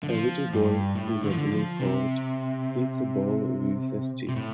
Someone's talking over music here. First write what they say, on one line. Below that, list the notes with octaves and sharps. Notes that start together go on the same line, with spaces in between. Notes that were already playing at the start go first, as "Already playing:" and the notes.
A little boy in a blue coat hits a ball with a stick.
D3
F3
G2
A2
D3
F3
D3
F3
C3
C3
A2